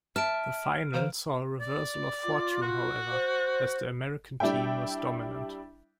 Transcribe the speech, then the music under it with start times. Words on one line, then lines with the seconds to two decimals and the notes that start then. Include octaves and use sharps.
The final saw a reversal of fortune, however, as the American team was dominant.
0.16 E5 A5 F6 D7
0.94 D3 E3 C5 F5
1.60 D5
2.24 F4
2.62 F#4
3.11 C5
4.40 G3 D4 E4 E5 G5